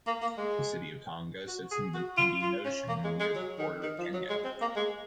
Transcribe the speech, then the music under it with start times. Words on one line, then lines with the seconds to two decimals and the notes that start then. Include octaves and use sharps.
The city of Tanga sits on the Indian Ocean, near the border with Kenya.
0.07 A#3
0.22 A#3
0.38 G#3
1.48 F#4
1.72 G#4
1.94 F#4
2.17 F4
2.42 F4
2.65 C#4
2.89 A#3
3.04 G#3
3.20 G#3
3.36 F#3
3.59 D#3
3.83 D#3
3.99 F3
4.13 F#3
4.30 G#3
4.45 C4
4.61 A#3
4.76 G#3